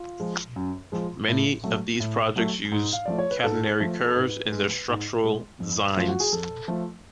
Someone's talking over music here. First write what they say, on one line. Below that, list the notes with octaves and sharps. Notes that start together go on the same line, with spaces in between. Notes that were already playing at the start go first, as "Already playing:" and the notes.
Many of these projects use catenary curves in their structural designs.
Already playing: F4
F3 G#3
F#2
F3 G#3
A2
F#3 A3
A2
F#3 A3
G#2
F5
F3 A3 D5
C#5
B4
G#2 A4
F3 A3
A4
G#2 B4
G#3
G#2
G#3
F2
F3 A3 F4
F#4
G#4
F2 A4
F3 A3